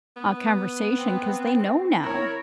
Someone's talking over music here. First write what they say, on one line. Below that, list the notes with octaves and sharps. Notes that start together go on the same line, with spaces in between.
uh, conversation 'cause they know now.
B3
C4
E4 A#4 C#5